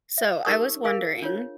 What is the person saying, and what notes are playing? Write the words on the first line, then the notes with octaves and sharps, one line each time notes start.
So, I was wondering
E5
D#4 G4 A#4 C#6 D#6
G#4 A#4 F5 G#5
D4 F4 C#5